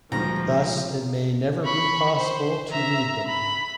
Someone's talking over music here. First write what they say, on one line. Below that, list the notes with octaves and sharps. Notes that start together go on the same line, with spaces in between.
Thus it may never be possible to read them.
D2 G2 A#2 D#3 F3 G#3 A#5
B5 C#6
C5
E5 A#5
B5